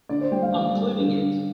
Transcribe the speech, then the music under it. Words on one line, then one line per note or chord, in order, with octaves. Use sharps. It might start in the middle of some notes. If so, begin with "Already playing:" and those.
I'm cleaning it.
D3 D5
C5
G3 G5
F5
G3
G3
D3
D3